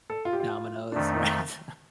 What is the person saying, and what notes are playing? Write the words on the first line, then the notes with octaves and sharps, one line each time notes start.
Domino's, right?
A4
F4
G4
F4
F2 D#3 A3 D4
D#4